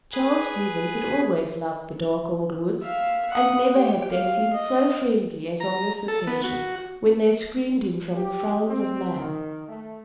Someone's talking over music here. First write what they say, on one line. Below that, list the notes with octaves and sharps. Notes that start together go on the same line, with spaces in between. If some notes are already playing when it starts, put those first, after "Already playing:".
Charles Stevens had always loved the dark old woods, and never had they seemed so friendly as on this occasion, when they screened him from the frowns of man.
G#4 B4
E5 F5
F#5 D#6
G4 G5
F5
D#5
A#5
A4
B3
F#4
G4
C4
D#3
A3